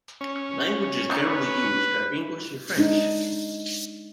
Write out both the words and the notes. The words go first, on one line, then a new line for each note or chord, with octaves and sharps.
Languages generally used are English and French.
C#4
B4
G#3 D4 D#4